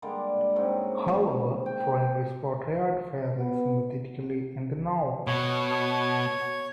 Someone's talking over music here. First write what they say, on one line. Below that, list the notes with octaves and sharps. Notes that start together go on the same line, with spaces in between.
However, Frame is portrayed fairly sympathetically in the novel.
D3 G3 G#3 A#3
G#2 F#3 C4 C#4
G5
B3
B2 C#5